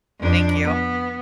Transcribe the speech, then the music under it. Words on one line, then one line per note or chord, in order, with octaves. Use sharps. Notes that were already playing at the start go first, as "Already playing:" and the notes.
Thank you.
F2 D4
B3